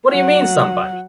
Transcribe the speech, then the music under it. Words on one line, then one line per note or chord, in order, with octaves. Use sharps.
What do you mean, somebody?
F#3 F#5